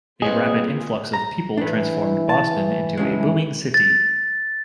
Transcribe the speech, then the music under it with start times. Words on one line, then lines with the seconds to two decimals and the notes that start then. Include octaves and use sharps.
A rapid influx of people transformed Boston into a booming city.
0.22 A#3 C4 F4 G#4 B4 C#5 D#5
1.13 A#5
1.57 E3 D4 B4
2.29 A5
2.98 G2 C#3 E3 G#3
3.74 A6